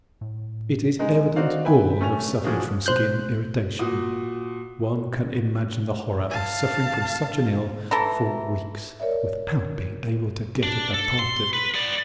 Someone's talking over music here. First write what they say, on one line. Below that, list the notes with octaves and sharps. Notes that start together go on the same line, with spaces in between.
It is evident all have suffered from skin irritation--one can imagine the horror of suffering from such an ill for weeks without being able to get at the part that itched.
A2
G#3 B3 D#4
C4 D#4 F#4 D5 F5
B4 E5 G5 G#5 B5
A3 C#4 G#5 F7
E3 F3 C#4 D4 F#4 G#4
B1 C5 F#6 G6
A#2 F#4 D#6
F5 A5
E3 A4 A#5
A#4 C#5 D5 E5
D4
A4
C6
B4
B3 D5